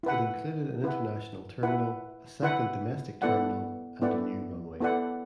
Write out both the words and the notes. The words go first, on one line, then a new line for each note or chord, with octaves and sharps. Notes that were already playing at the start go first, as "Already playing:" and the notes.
It included an International Terminal, a second Domestic Terminal, and a new runway.
E4 B4 F#5
E4 B4 F#5
E4 B4 F#5
E4 B4 F#5
B3 E4 A4 D5 F#5
B3 E4 A4 D5 F#5
B3 E4 A4 D5 F#5